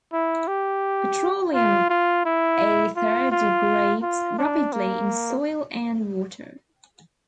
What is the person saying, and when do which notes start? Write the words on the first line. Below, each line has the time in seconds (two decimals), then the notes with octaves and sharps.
Petroleum ether degrades rapidly in soil and water.
0.13 E4
0.48 G4
1.54 F4
1.89 F4
2.25 E4
2.96 F4
3.32 F4
4.03 F4
4.39 D4
4.73 A#3